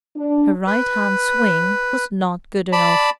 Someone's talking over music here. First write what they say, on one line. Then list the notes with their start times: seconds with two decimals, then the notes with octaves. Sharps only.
Her right hand swing was not good enough.
0.17 D4
0.67 B4
2.73 D5 A5 B5